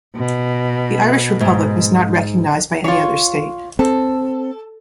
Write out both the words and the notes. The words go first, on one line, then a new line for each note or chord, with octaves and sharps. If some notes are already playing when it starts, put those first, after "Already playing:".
The Irish Republic was not recognised by any other state.
B2
G#2
F4 C#5
C4 A4